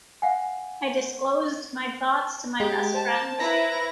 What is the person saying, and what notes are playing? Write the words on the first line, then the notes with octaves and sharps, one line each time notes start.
I disclosed my thoughts to my best friends.
F5 F#5 G#5
G#3 G4
C5 A5
E4 B4 A#5